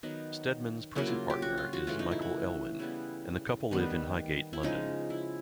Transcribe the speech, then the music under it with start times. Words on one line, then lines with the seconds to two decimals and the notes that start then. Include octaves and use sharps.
Steadman's present partner is Michael Elwyn and the couple live in Highgate, London.
0.03 D#3 F#3 B3 D#4
0.95 C#3 F#3 A#3 E4
1.07 F4
1.30 G4
1.42 F#4
1.58 F4
1.73 F#4
1.87 C#3 E3 A3 F4
1.99 D#4
2.11 E4
2.22 F#4
2.79 C#3 E3 G3 B3 E4
3.71 D#3 G3 B3
4.53 E4
4.63 C#3 F3 G#3 D#4
5.10 E4